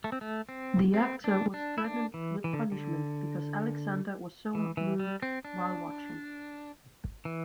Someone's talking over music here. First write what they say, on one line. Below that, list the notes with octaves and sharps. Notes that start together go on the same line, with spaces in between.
The actor was threatened with punishment because Alexander was so moved while watching.
A3
C4
A3
C4
C4
D4
D4
E4
D4
E3
E3
D3
D3
E3
E3
G3
C4
D4
E3